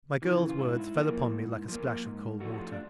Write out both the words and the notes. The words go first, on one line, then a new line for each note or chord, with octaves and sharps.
My girl's words fell upon me like a splash of cold water.
C#3 E3
F4
G#2 E4
F3 A#3
G#2
F3 A#3
G#2
F3 A3 F#4
F#4
F4
D4